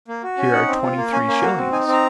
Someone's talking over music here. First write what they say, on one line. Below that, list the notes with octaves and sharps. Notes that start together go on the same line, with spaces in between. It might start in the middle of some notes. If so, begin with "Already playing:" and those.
Here are twenty-three shillings.
A#3
F#4
C#4 G#5
D#4 F#5
C4
F4
A#3
C#4 G#5
A#3 G#5
F#4
C4
D#4 G#5
C4
A#5